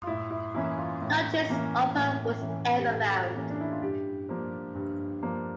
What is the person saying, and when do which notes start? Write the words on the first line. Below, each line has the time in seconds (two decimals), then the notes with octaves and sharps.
No trace of her was ever found.
0.03 F4
0.07 A2 E4
0.31 E4
0.55 E3 A#3 C#4 E4
0.78 F4
1.02 A2
1.49 E3 A#3 C#4
1.95 A2
2.41 E3 A#3 C#4
2.78 G4
2.88 A2 A4
3.35 E3 A#3 C#4
3.50 D4
3.61 E4
3.72 F4
3.82 G2 G4
4.29 F3 A#3 D4
4.75 G2
5.23 F3 A#3 D4